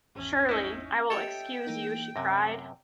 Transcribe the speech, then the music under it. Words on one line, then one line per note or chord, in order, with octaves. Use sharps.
Surely I will excuse you, she cried.
G#1 E2 C#4
D#4 E4
G4 A4 C#5 D#5 E5 G5
E3 A#3 D#4
F#2 C3 A#6